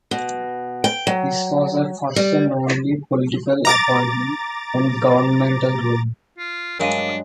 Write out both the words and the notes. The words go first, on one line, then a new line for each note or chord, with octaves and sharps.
This was her first and only political appointment and governmental role.
B2
G5
F#3
G3
A#5 D6 A6
F4
G2 F#3 G#3 D4 A#4 F5 D#7